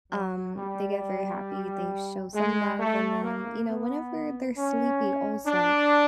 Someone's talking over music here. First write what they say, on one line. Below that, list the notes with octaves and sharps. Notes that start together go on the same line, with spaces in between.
um, they get very happy, they show some love, and then, you know, whenever they're sleepy also,
F#3
G3
G#3
A3
A#3
B3
C#4
D4